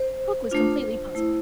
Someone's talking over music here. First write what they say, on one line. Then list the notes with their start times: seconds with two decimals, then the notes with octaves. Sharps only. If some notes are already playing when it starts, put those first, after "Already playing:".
Hook was completely puzzled.
Already playing: C5
0.51 A3 D4 F4
1.15 A3 E4